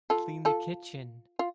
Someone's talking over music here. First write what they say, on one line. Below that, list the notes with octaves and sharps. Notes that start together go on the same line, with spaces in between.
Clean the kitchen.
F4 A4
F4 A4
F4